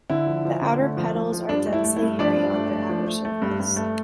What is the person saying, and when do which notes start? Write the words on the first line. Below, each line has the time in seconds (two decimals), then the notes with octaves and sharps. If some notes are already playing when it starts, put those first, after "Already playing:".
The outer petals are densely hairy on their outer surface.
0.10 D3 E4
0.27 F3
0.45 F3
0.62 D3
0.80 A3
0.97 F3
1.15 F3
1.32 F3
1.49 G2 D4
1.66 A3
1.73 E4
1.84 A3
1.97 E4
2.02 G2
2.19 F3 D4 D5
2.37 G2
2.54 A3
2.71 A3
2.90 F3
3.07 A3
3.25 A3
3.42 G2
3.60 G2
3.76 A3